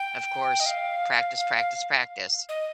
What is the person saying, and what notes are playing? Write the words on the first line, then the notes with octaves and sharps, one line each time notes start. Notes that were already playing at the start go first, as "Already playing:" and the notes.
of course, practice, practice, practice.
Already playing: G5
D#5
F5
F5
F5
D#5